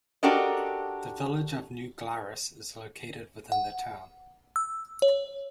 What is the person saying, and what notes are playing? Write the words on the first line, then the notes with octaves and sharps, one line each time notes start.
The village of New Glarus is located within the town.
D4 F#4 G4 A4 A#4 D#5
F#5
E6
C#5